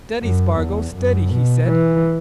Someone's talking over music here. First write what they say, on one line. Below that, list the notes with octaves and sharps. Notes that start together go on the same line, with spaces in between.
"Steady, Spargo, steady!" he said.
F#2
E2
F#2
B2
E3